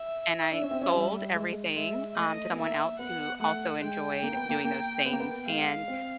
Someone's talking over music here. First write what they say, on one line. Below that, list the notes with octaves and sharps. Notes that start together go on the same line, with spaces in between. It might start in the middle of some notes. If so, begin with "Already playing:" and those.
and I sold everything, um, to someone else who also enjoyed doing those things, and,
Already playing: E5
D4
C#4
C4
C#4
G3
G#3
G#3 E5
A3 D#5
B3
A#3 E5
B3 F#5
A3 F#5
G#3 G5
A#3
B3
A#3
A#3
B3
A#3
B3
G#3 F5
C4